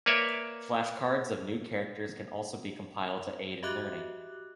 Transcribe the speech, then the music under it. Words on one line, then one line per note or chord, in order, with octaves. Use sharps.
Flashcards of new characters can also be compiled to aid in learning.
A#3 B4 C#5 D5 E5
F#4 G4 D#5 E5 D6 F#6